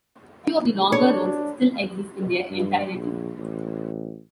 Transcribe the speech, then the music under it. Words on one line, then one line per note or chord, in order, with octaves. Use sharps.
Few of the longer roads still exist in their entirety.
D4 C#5
G2
A#1
A1